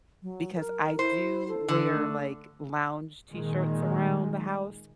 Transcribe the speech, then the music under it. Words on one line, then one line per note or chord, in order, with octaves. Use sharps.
because I do wear, like, lounge t-shirts around the house,
F#3
A#4
E4 C5
A4
D3
A3
A#2 D#3 G#3